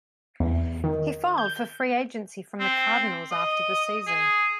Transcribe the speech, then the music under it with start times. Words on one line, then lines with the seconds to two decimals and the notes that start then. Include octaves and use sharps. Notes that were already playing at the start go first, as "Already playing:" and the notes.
He filed for free agency from the Cardinals after the season.
0.40 E2
0.84 D#3
1.38 G6
2.60 C4
3.31 D#5
4.07 G#4